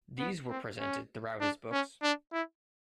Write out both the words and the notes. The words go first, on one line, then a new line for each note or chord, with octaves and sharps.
These were presented throughout his books.
B3
C4
C#4
D4
C#4
D4
E4